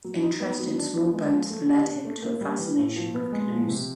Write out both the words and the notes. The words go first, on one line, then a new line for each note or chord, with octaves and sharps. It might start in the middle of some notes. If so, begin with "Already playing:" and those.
Interest in small boats led him to a fascination with canoes.
F#3
D#4
B3
F#3
D4
B3
G#3
F3
A3
G4
D4
A3
A#3
G3
E3
A2
F3
B3
G#3
F3
C3